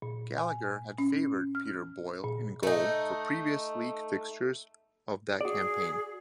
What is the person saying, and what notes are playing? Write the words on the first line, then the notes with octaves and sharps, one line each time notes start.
Gallagher had favoured Peter Boyle in goal for previous league fixtures of that campaign.
A#2
G#5
C#4
F6
A#2
A3 D#4
F#4 G#4 D5